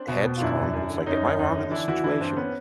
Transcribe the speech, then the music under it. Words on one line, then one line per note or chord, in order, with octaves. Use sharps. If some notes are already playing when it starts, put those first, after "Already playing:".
headstrong, but it's like, am I wrong in this situation?
Already playing: C4 D4
B2
B2
F4
F#2 D4 E4
F#2
F#2
D3
F#2 C#4 D#4
F#2
F#2
D3
E3 D4 E4
E3 E4 F#4
E3 D4 E4
G2 C4 D4
B3 C#4